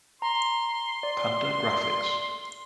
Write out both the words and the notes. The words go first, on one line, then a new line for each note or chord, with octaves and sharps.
Panda Graphics.
A#5 C6
D5